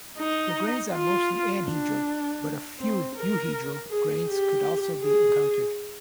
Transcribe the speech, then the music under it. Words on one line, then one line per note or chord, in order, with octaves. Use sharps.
The grains are mostly anhedral, but a few euhedral grains could also be encountered.
D#4
F4
D4
C4
A#4
G#4
G4
G#4